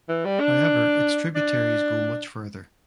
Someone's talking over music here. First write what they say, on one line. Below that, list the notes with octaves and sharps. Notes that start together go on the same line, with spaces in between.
However its tributaries go much further.
E3
G3
D4
D4